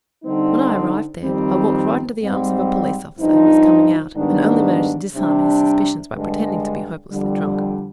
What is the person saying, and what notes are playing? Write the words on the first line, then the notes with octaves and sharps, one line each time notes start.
When I arrived there, I walked right into the arms of a police-officer who was coming out, and only managed to disarm his suspicions by pretending to be hopelessly drunk.
D3 G3 C4 D#4
F2 D#3 G3 C4
G#2 G3 C4
G2 F3 C4 D#4
G#2 D#3 G3 B3 D4
C3 G3 D4
G2 D3 G#3
F2 D3 G3